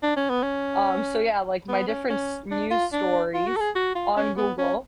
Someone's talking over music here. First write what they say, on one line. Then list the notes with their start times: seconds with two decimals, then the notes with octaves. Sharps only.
Um, so, yeah, like, my different s news stories on Google,
0.03 D4
0.17 C#4
0.30 B3
0.43 C#4
1.69 B3
1.88 C#4
2.10 C#4
2.51 D4
2.71 F4
2.93 D4
3.34 F4
3.47 F#4
3.56 A4
3.61 G#4
3.76 F#4
3.95 F4
4.17 C#4
4.38 B3
4.59 C#4